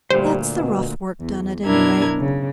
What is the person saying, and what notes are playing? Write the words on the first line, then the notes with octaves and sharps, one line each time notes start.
"That's the rough work done, at any rate."
D2 A#2 G3 C5
B2
E2
F#2 B2 D4 E4 A#4 G#6
C#3